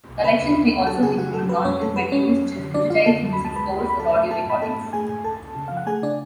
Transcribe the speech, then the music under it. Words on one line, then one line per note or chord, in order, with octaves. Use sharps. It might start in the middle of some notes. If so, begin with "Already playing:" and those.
Collections may also include non-print materials, such as digitized music scores or audio recordings.
B1
C#3 B4 B5
D2
D2
D2
F#3 A4 A5
C#3 G#4 G#5
A3 F#4 F#5
F#3 A4
F#2 B4
F#2 C#4 C#5
F#2 A4
G#3 B4
A3 C#4 C#5
F2
F#3
D3
F#2 D4 D5
F#2 F4 F5
D3 A4 A5
F#2
D2 B5
A5
G#3 B4 B5
D2
D2 B5
F#3 A4 A5
A3
A3 A4 A5
G#2 B5
A3 A4 A5
G#2
A3 G#4 G#5
G#2
C#2 A4 A5
C#2
C#3
F3 F5
F#5
A3 G#4 G#5
C#3 D4 D5